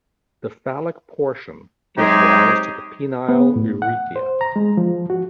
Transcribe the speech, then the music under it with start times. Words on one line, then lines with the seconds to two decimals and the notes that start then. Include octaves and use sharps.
The phallic portion gives rise to the penile urethra.
1.97 C3 F#3 G#3 D#4 G4 G#4
3.29 B3
3.56 A2
3.82 F#5
4.16 C5
4.41 A#5
4.56 G#3
4.77 F3
5.10 F#4